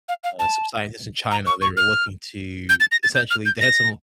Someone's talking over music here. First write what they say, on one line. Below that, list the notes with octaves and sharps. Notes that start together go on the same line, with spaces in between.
uh, some scientists in China, they were looking to essentially, they had some
F5
F5
A5
A#5
C#6
C#6
F6
G6
A6
A#6
A6
G6
F6
G6
A#6